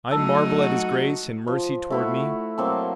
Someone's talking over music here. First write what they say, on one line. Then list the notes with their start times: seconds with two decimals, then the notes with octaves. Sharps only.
I marvel at his grace and mercy toward me.
0.11 F#3 A3 D#4 A5 E6
0.57 F#4
1.47 F3
1.90 A3 E4 F#4
2.58 F#3 A#3 C4 A5